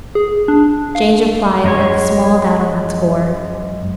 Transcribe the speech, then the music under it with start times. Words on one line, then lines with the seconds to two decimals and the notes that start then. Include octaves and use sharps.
Jane's reply left small doubt on that score.
0.15 G#4
0.48 D4
0.95 F5
1.64 F#2 G#3 C#5